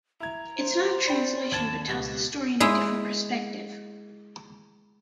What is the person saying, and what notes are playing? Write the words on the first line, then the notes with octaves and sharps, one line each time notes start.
It's not a translation but tells the story in a different perspective.
E4 A#5 G#6
C5
D5 G5 B5 A6
D#2 A5 G#6 A6
C#2 B2 G4
G#3 E4